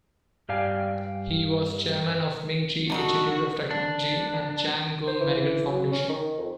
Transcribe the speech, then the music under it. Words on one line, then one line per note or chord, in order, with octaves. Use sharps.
He was chairman of Ming-chi Institute of Technology, and Chang Gung Medical Foundation.
G2 G4 D5 F5 G#5
D4 D#4 F#4 A4
D4
C5
E3
F#3
C#4
D#3
F2